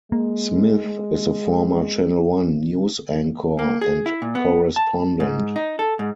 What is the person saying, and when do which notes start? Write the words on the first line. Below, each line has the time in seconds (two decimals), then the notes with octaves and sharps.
Smith is a former Channel One News anchor and correspondent.
0.12 G#3 A#3
3.59 A#3
3.81 G#4
4.06 E4
4.22 A#2
4.35 B3
4.76 A5
5.20 G#2
5.56 D#4
5.79 A4
5.99 G#2